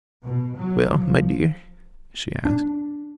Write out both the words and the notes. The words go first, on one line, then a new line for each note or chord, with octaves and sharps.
"Well, my dear?" she asked.
B2
F#3
F3
D4